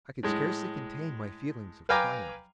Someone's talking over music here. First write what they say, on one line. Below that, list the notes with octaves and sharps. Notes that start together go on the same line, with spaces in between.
I could scarcely contain my feelings of triumph.
A2 G#3
B4 F5 G5 G#5 A#5 D6